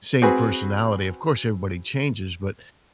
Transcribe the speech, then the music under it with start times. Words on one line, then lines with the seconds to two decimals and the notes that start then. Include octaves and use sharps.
same personality. Of course, everybody changes, but,
0.22 C4 F#4 G#4 B4